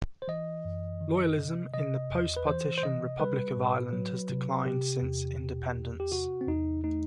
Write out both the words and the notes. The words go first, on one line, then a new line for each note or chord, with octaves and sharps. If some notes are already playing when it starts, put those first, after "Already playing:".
Loyalism in the post-partition Republic of Ireland has declined since independence.
C5
E3 D#5
F#2
D#3
C3
C3 D#5
E2
B4
E3 C5
C5
C3 D#5
G3 B4
A2
F#3
C3
C3 G4
E2
B2
E2
G4
C3 F#4
C4
E2 D#4
A3 D#4